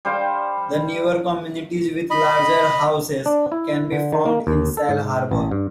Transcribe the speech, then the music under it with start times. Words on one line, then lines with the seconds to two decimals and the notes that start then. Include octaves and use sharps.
The newer communities with larger houses can be found in Sail Harbor.
0.05 G3 C5 F5 G5
2.10 D#5 B5
3.26 D4
3.52 E4
3.92 D3
4.12 D#3
4.26 A#3
4.47 D#2
4.77 A4
4.89 G#2
5.31 A1
5.51 G2